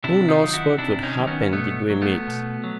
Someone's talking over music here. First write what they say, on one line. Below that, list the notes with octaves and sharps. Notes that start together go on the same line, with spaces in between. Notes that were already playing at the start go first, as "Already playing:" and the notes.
Who knows what would happen did we meet.
C3 D4 E4
D#4 F4
D#3 F#3
E4 F#4
C3 D4 E4
C#4 D#4
D#3 F#3
B3 C#4
B2 A3 B3
F#3
A3 B3
B2
F#3